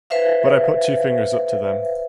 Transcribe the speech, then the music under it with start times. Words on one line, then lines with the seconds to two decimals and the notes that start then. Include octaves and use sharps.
But I put two fingers up to them.
0.10 B4 C5 E5 F5